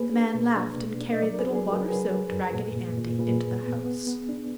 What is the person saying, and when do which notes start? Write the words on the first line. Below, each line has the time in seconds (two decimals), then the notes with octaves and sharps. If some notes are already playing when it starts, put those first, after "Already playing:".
The man laughed and carried little water-soaked Raggedy Andy into the house.
Already playing: A#3 G#4 B4
0.13 D4
0.34 B2
0.56 D4
0.78 B2
1.00 D4
1.12 D#5
1.22 F#3 A#4 D5
1.39 G#4 B4
1.44 F#3
1.55 G#4
1.66 F#3
1.72 F#4 A#4
1.88 F#3 G#4 B4
2.10 F#3
2.32 F#2
2.54 A#2
2.76 A#2
2.98 A#2
3.19 A#2 G#4 B4
3.42 A#2
3.63 B3
3.85 B3
4.07 B3
4.29 D4